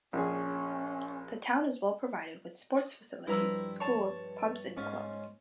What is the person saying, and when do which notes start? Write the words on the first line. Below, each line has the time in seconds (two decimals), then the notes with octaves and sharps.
The town is well provided with sports facilities, schools, pubs and clubs.
0.13 A#1 C#4 G#4
3.27 G2 F3 E4 A#5 E6
3.80 C#5 A5
4.77 G#2 C#4 F4